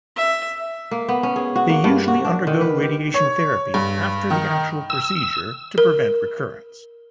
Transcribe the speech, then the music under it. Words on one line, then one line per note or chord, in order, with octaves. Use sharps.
They usually undergo radiation therapy after the actual procedure to prevent recurrence.
E5
A#3
B3
C#4
G#4
F#4
A#3
G2
F#4
D4
D#3
B4
G4
C#5
G2
D#3
E6
A#4